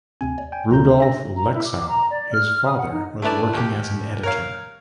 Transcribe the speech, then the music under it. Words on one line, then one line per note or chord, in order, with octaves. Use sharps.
Rudolph Lexow, his father was working as an editor.
D2 C3 C4 G#5
D#2 C#5 D5
G5 G#5
D2 F#3 F#4 A4 A#5 G6
C#4 D4 G4 E5 A#6
A#5
E4
D6
A#5
D5
F6
D#6
F#5
D#4
A3 D4 E4 B4 D5 A5
D#2 G4
A#4 C#5 F5